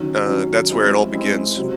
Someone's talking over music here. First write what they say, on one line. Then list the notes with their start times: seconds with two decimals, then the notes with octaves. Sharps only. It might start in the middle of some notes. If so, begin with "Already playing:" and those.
uh, that's where it all begins.
Already playing: D#3 F#3 C#4
0.27 D#3 F#3 C#4
0.69 G#3 C4 E4
1.14 G#3 C4 E4
1.57 C3 F#3 C4 E4